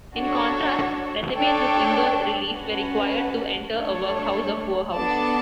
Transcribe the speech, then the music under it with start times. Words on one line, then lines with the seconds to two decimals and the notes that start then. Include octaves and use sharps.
In contrast, recipients of indoor relief were required to enter a workhouse or poorhouse.
0.15 D4 F#4 A4 C#5
1.34 D4 A4 C#5 G5
2.54 C#4 F#4 B4 F#5 A5
3.74 A3 D4 A4 C#5
4.94 B3 D4 A4 D5 A5